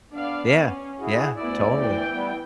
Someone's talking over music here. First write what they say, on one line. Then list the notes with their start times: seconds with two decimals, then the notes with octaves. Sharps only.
Yeah, yeah, totally.
0.12 B3 D4 D5 F5
0.54 C#4
0.99 E4 F#4 G#4
1.36 D2 B3 E4 D5
1.78 E3 G5
2.12 G3 B3